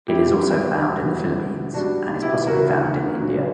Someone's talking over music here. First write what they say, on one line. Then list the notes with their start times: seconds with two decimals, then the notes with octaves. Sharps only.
It is also found in the Philippines and is possibly found in India.
0.08 E4 G4
0.27 B2 G3
1.00 E2 B2 G3
1.74 B2 G3 D4 F#4
2.22 E4 G4
2.47 E2 C#3 E3 F#4 A#4
3.21 A#2 F#3